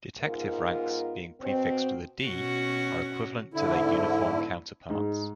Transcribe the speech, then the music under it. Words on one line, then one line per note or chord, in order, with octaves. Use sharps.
Detective ranks being prefixed with a "D" are equivalent to their uniform counterparts.
G#2 B3 F4 A#4
B2 C4
B2 C#4 F#4
E2 G#2 D3 E4
G#2